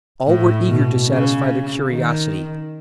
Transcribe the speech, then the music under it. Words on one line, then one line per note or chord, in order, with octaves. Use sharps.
All were eager to satisfy their curiosity.
A2
B2
C#3
D#3